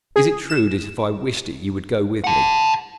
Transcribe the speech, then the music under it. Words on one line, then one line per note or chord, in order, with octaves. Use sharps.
"Is it true that if I wished it you would go with me?"
G#4
E7
F#5 A5